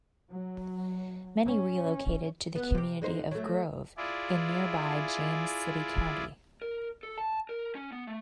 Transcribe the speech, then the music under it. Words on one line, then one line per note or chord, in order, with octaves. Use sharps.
Many relocated to the community of Grove in nearby James City County.
F#3
C#4
B3
C3 G4
D3 D#4 C5
F#3 A3
E4 F4 G#4 D5
A#4
A4
A5
A#4
C#4
B3
A3